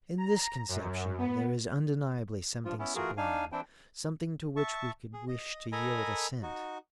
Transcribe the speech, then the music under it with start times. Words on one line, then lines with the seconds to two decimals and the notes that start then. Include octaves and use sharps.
In this conception, there is undeniably something sublime, something to which we could wish to yield assent.
0.18 A#5
0.69 F#2
1.18 B3
2.65 G2 F3 F4
2.79 B3 C#4 E4
2.95 E3 A3 F4 F#4 G#4 A#4
3.17 D4 D#4 F5 G#5
3.52 E3 C4 D4 E4 G5
4.56 E5 A5 C#6
5.13 G#4
5.28 D#5
5.72 A4 A#4 D#5 G#5 A#5 B5
6.43 D#4 F#4